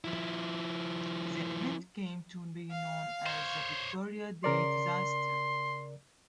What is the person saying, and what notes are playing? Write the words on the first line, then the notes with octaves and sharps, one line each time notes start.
The event came to be known as the "Victoria Day disaster".
F3 E4
F5
C5 C#5
C#3 A#4 D5 C6